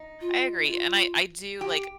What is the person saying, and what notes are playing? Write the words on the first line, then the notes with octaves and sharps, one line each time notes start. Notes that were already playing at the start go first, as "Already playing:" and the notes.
I agree, and I I do, like
Already playing: D#4
F4
F4
G4